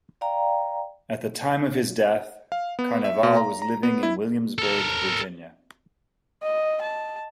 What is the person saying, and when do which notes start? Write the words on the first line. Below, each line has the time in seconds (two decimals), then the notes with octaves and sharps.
At the time of his death, Carnevale was living in Williamsburg, Virginia.
0.21 D5 F5 G5 A#5
2.52 F5
2.79 B3
3.05 E5
3.23 B2
3.37 A#5
3.62 A#5
3.83 B3
4.03 E4
4.58 A4 A#4
6.42 D#5
6.81 A5